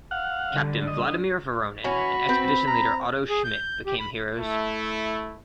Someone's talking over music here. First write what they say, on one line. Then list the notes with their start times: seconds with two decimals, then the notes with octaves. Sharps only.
Captain Vladimir Voronin and expedition leader Otto Schmidt became heroes.
0.11 F5 F#5
0.53 D3 G3
0.87 D#5
1.84 E3 C#4 F#4 B5
2.29 C4 B4
2.67 A#5
3.30 G#4
3.44 G6
3.86 G4
4.00 B5
4.39 A3 E4